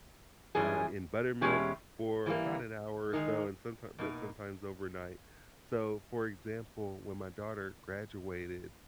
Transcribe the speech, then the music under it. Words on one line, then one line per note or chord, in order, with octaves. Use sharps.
uh, in buttermilk for about an hour or so, and sometime but sometimes overnight. So, for example, when my daughter graduated,
G#2 E3 G3 C#4 G#4
E2 B2 G#3 C#4 G4
E3 G3 A#3
D#3 G#3 D#4 A#4
B2 A#3 D#4